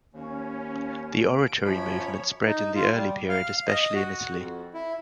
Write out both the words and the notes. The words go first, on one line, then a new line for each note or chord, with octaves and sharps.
The Oratory movement spread in the early period especially in Italy.
D#2 C#4
D7
F#2 F3 C#5 B5
D#4
F4
G3
F5
D#5
F#4
F2
E4